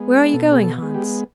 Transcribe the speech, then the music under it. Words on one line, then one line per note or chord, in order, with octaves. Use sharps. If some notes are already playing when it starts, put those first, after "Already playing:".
'Where are you going, Hans?'
Already playing: G#3 B3
B2 A4
G#4
A4
G#3 B3
G4